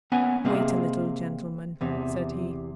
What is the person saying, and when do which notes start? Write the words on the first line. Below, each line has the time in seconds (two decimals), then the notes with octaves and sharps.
"Wait a little, gentlemen," said he.
0.12 A#3 B3 C#4 F#5 G#5
0.45 C3 A#3 C4 G#4 D#5
1.81 E2 C3